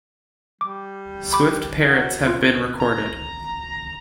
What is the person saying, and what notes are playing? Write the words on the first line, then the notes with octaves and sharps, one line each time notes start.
Swift parrots have been recorded.
G3 D6
B5 D6
F#3
F#2 F4
A#5